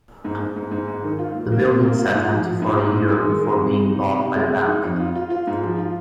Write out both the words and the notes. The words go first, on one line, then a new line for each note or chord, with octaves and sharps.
The building sat empty for a year before being bought by a bank.
G#2
G#2
G#2
G#2
G#2
D#3
F4
A#3
A#3
C3
A#3
F4
G#2
F3
F3
G#2
G#2
G#2
G#3
D#3
G#3
C3
C3
D#4
C3
C3
G#3
G#3
D#4
F2
F4
F4
F4
G#2
F3
F4